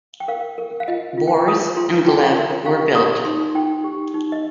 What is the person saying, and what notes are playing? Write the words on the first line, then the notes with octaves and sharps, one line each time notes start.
Boris and Gleb were built.
G5
A#4 F5
A#4
F5
F4 D#5
F4
G5
F4 D#6
A#5
F4 C6
A#5
F4 G5
G5
A#4 C6
A#5
G4 F5
G4 D#6
D#4 C6
D#4 G5
G4
D#4
D#5